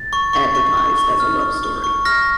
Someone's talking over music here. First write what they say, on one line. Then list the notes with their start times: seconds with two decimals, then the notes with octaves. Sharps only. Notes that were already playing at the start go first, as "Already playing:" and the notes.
advertised as a love story,
Already playing: A6
0.13 C#6
0.33 C#6
0.55 C#6
0.77 C#6
0.98 C#6
1.20 F6
1.41 C#6
1.63 C#6
1.84 C#6
2.05 F6 A#6